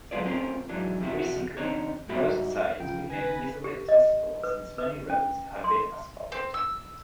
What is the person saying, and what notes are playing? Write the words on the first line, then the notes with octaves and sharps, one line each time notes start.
Recently, most sites became easily accessible since many roads have been asphalted.
D3 F#3 G#3 F4 B4 D5
A3 C4 C#4 F4 G#4 A#4
G#2 E3 F#3 D4
C3 F3 E4 F#4
D#3 C4 D4 D#4 C5 C#5
G#2 G3 F#4 E5 B5
C#2 C#3 F3 F4 G5
D#3 B4 G#5 A#6
G4
D#5
B4
B4
C#4
C6
C4
E6